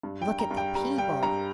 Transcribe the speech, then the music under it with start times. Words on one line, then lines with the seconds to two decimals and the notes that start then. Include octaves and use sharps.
"Look at the people!"
0.03 G2
0.22 G5
0.28 G2
0.39 A#5
0.51 G2
0.57 G5
0.75 G3 A#5
0.98 G3 G5
1.23 G2 A#5